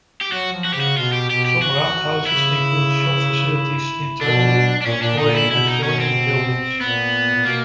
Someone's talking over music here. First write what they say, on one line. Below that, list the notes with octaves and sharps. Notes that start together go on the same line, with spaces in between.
Some roundhouses include shop facilities internally or in adjoining buildings.
G4
F#3 F#4
F3
F#4
C#3 G4
F#4
B2 F4
G4
B2 G4
G4
F#4
C#3 E4
B2 D4
D4
A#2 C#4
A#2 D4
A#2 D#4
E4
B2 E4
D#4
B2 C#4
C4
A#2 B3
A#2
B2 A#3